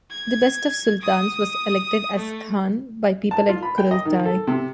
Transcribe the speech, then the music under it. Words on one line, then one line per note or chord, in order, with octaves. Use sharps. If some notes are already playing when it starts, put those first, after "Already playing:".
The best of sultans was elected as khan by people at Kurultai.
G#6
D#6
A3
A5
F4
B5
G5
D#5
D#3
A4
C3